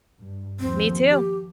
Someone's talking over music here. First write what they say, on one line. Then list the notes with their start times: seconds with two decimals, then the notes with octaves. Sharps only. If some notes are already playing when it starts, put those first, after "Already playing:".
Me too.
0.20 G2
0.60 D#2 F3 C4
1.09 G4